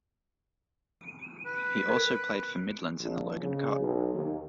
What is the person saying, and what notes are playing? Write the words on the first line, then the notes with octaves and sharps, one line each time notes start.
He also played for Midlands in the Logan Cup.
B4
A#4
A#1
C#3
B1
D#2